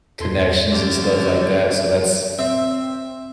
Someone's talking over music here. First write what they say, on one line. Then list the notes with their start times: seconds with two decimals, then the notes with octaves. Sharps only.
connections and stuff like that. So, that's
0.20 E2 A4 C6 G#6
0.71 D3 F3 A#3 C4 C#4 G4 A6
2.39 C4 E5